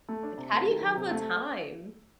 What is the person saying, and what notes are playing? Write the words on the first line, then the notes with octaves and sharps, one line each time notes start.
Like, how do you have the time?
A3
D4
C3
A3
D#3
F#3
C3
A3